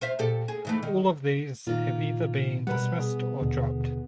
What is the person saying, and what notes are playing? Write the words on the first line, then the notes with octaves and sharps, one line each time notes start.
All of these have either been dismissed or dropped.
F4 C5 E5
A#2 G4 A4
G#4
G#2 E3 A3
D#3
A#2 D#3 A#3 F4
B2 G3 B3 A#4 B4 F#5
G#4
D#2 B2 D3